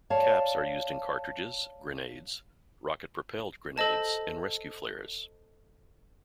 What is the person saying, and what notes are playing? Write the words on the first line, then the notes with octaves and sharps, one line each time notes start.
Caps are used in cartridges, grenades, rocket-propelled grenades, and rescue flares.
C#5 D5 F5 A5
A4 C5 D#5 A5